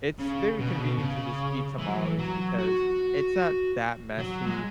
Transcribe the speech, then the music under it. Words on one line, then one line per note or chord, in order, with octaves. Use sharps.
It's very convenient to just eat tamales because it's not that messy.
C#3
B2
C#3
B2
C#3
E3
F#3
E3
F#3
F#4
F#3
G#3